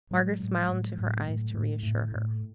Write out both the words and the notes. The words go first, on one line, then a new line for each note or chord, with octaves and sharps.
Margaret smiled into her eyes to re-assure her.
A2 F#3 G#3
A2
A2
A2
A2
A2
A2
A2